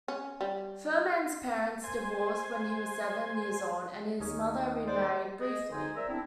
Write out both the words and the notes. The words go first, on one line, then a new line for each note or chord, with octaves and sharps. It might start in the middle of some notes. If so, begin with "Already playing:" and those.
Fuhrman's parents divorced when he was seven years old, and his mother remarried briefly.
C#4
G3
C5 G#5
D#2 C#4 D#4
C5 D5 F#5
G#4 D#5
D3 D#4 G#4 C5 G#5
A#4 C5 D5 E5 A#5 E6
B3 C4 D4 E4